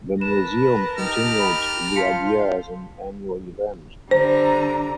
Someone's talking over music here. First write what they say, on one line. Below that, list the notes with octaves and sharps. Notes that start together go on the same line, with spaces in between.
The museum continued the idea as an annual event.
A#4 B4 A5 A#6 E7
D#4 G4 F6
B5
F4 C5 F5 A5 B6 C#7
D3 G3 C5 A#5